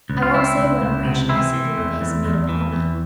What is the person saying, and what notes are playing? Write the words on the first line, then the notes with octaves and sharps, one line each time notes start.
I won't say what impression his severe face made upon me.
C#2
F4
C#2 C4 E4
C#2
C#2
C3
E3 C4 E4
E3
E2
E2
E2
E3
E2